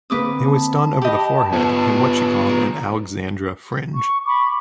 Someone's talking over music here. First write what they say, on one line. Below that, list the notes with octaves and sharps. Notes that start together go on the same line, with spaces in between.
It was done over the forehead in what she called an Alexandra fringe.
D3 A#3 C4 B4 D6 D#6
A5
G4 D#5 B5
B3 F4
A#4
C#6
B5 C#6 D6